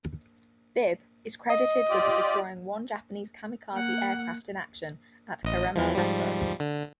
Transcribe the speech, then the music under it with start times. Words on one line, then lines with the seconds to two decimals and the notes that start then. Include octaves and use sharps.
"Bibb" is credited with destroying one Japanese kamikaze aircraft in action at Karema Retto.
1.50 D#5
1.89 F4 G4 D5
3.73 A#3 F#5
5.43 A1 D#5
5.76 E2 E3 F3
5.95 G#2 F3 G3
6.60 D3